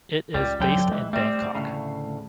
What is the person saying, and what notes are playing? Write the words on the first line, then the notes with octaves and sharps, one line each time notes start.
It is based in Bangkok.
C#2 G3
F2 D3 F#3 G5
E3 G#3
G3 A3 C4
D2 A2 C#3